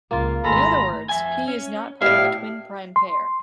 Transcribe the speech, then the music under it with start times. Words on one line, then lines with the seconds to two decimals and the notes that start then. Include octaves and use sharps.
In other words, "p" is not part of a twin prime pair.
0.11 C#2 A#3 F4
0.44 G#1 G#3 A3 A4 A#5 B5
1.09 F2 E5 G#5
1.48 C#4
2.02 A2 G3 E4 F5
2.96 C6